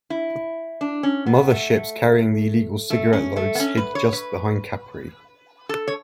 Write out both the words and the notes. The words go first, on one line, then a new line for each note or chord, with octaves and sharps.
Mother ships carrying the illegal cigarette loads hid just behind Capri.
E4
D4
C#4
B3
A3
A3
C#4
A3
B3
C#4
B4
C#5
B4
A4
C#5